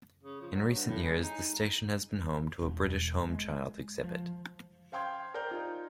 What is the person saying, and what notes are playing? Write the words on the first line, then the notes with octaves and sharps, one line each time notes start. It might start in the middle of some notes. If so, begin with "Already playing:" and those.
In recent years the station has been home to a British Home Child exhibit.
C#3
F3
F#3
G2
A2
G#3
D#4
E1
G#3
F3
C5 F5 G5 C6 G6 G#6
A#4 C5 D5 G5 G6
D#4 F4